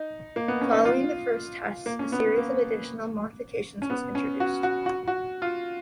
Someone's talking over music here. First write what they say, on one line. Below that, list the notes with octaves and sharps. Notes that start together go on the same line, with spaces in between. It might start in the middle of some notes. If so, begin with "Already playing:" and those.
Following the first tests, a series of additional modifications was introduced.
Already playing: D#4
A#3
B3
C#4
D#4
F4
A#3
C#4
B3
B3
A#3
C#4
B3
C#4
F#4
F#4
F#4
F#4
F4